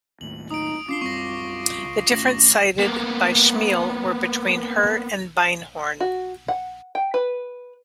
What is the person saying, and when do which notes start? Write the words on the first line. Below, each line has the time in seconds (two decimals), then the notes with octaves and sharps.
The differences cited by Schemel were between her and Beinhorn.
0.21 D#2 A2 F#7
0.51 D#4 D#6 D7
0.89 C#4 D4 F4 D6 C7 G7
1.02 F#2 G3 C4 C#6 A#6
1.84 C#2
2.12 G#1 A3 C#4 D6 A#6 F#7
2.79 A#3 B3
6.00 F#4
6.48 F#5
6.95 G5
7.14 B4